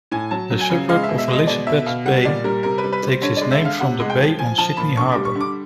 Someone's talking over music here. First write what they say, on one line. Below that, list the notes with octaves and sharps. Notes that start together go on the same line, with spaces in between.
The suburb of Elizabeth Bay takes its name from the bay on Sydney Harbour.
A2 G#5
F#3 A5
F#3
G#5
C#3
G#3 F5
E5
B2
E5
G#3
D#5
B2 D5
B2 E5
B2 F5
G3 F#5
A#2 D5
G3 A#4
C3 A#4
B4
G3
B4
G3 C5
D3 C#5
G#3 D5
E5
D3 F5
C3 F#5
G#3
G5
F3
F3 G#5
F3 A5
A#2 B5
D3 C#6
G3 D6
C#6
D3
D6